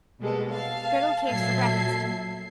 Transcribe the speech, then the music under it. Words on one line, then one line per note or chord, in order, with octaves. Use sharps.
Gridel cakes for brekfast.
B2 G3 G#3 A#3 B3 A4
F5 A5
A#2 F#3 A4 E5 G#6 C7